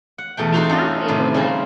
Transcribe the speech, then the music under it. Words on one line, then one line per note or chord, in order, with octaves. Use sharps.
Exactly, or, like
F#5
E2 B2 A3 G5
C4 D#4 F#4 A4 C5
C#4 D#4 F4 F#4
A2 C3 D#3
C#3 G3 C4 A#4